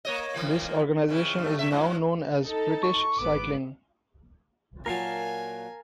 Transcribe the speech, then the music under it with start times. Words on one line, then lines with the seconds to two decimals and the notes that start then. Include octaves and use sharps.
This organization is now known as British Cycling.
0.05 A#3 C#5 D#5
0.34 F2 E3 A#3
1.09 F2 C#3 E3
1.37 E2 G2 A3
1.59 C3 E5
1.71 G#2 F3
2.43 D#4 A4 A5
2.83 C#6
3.18 G#1 B3 B4 D6
4.86 A#2 F#3 A#4 F5 G#5 A5